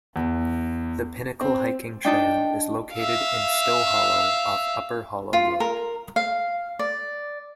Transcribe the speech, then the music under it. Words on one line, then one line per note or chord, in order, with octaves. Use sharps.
The Pinnacle hiking trail is located in Stowe Hollow off Upper Hollow Road.
E2
C4
D4 D#4 G5 A5
E5 F5
F4
A#4
F5
D5